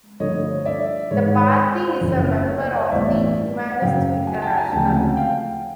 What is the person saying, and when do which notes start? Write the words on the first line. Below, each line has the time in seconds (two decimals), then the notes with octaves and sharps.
The party is a member of the Humanist International.
0.20 G2 D3 F3 A3 D4 C#5 D#5
0.65 D5 E5
1.11 G#2 D#3 G#3 C#5
1.56 C5
2.01 F#1 F#2 C#3 F3
2.46 C#5
2.61 C5 D5
2.76 C#5 D#5
2.91 A1 G2 E3 G3 B3 D5 E5
3.71 F#5
3.82 F#2 C#3 F#3 F5 G5
4.27 F#5 G#5
4.42 G5 A5
4.57 G#5 A#5
4.72 D2 C#3 F3 G#3 C4 G5 A5
4.95 F#5 G#5
5.17 F5 G5